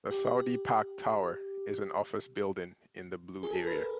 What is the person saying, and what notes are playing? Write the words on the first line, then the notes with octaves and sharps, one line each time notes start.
The Saudi Pak Tower is an office building in the Blue Area.
G4
G#4
A4
B4
A#4